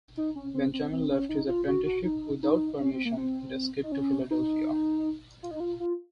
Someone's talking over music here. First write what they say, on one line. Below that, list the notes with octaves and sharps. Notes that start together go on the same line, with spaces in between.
Benjamin left his apprenticeship without permission and escaped to Philadelphia.
D#4
C#4
C4
C4
C4
C#4
D#4
F4
F#4
F#4
D#4
D#4
C#4
C4
A#3
C4
D#4
C#4
D#4
F4
D#4
F4
F4